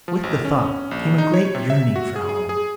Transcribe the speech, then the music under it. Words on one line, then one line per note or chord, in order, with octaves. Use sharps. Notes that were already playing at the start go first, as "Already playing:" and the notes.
With the thought came a great yearning for home.
F3
A1
C#4
A#1
D#4
C#5
C3
E5
F#4
G#4
G#4
G#4